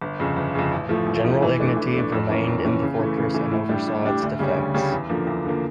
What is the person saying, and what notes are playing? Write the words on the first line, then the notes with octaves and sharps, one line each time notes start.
General Ignatiev remained in the fortress and oversaw its defence.
G1
F2 C#3
G1
F2 C#3
A1
A2 F3 A3
A1
A2 F3 A3
E3
A3 D4
E3
A3 D4
F2
E3 A#3 C#4
F2
E3 A#3 C#4
C#3
E3 A3
C#3
E3 A3
A2
G3 D4 G4
A2
G3 D4 G4
D2
C#3 G3 C#4
D2
C#3 G3 C#4
E2
D3 F3 A#3
E2
D3 F3 A#3